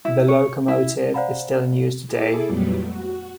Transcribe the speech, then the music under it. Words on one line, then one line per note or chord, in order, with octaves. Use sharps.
The locomotive is still in use today.
E4
C#5
E4
C5 D5 F5 F#5 A#5 B5
E4 G#4 A4 D6
F2 A#2 F#3 G3 A3 B3
F#4